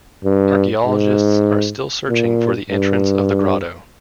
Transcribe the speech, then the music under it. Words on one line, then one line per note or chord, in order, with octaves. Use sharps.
Archaeologists are still searching for the entrance of the grotto.
G2
G#2
A#2
G2